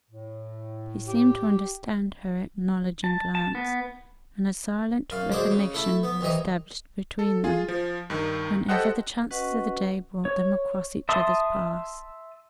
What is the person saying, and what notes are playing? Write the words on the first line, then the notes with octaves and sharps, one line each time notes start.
He seemed to understand her acknowledging glance, and a silent recognition was established between them whenever the chances of the day brought them across each other's paths.
A2
G4
A5
A5
B3
F#2 F5
F#3 G#3 D4 C5 D6
C#3
A3 E4 A4
B3
C2 C3 E3 D#5 A#5
A4
F4 G#4
F3
G2 D#3
G4 A4 C5 D#5 F#5 F#6
C#4 F#4 B4 D#5 F#5 C#6
C#5
E5 A5 C6 D#6